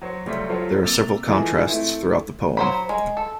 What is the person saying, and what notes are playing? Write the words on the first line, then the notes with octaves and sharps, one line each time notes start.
There are several contrasts throughout the poem.
F#3 C5 C#5
C#2 F#3 G3 A3 C6 B6
F#3 F4 G4 A4 C5 C#5
C3 A#3 E6 A6 F7 G7
E3 G#3 D#4 F4 G#4 A4
A3 C4 E4
F#3 C5 B5
G#3
A4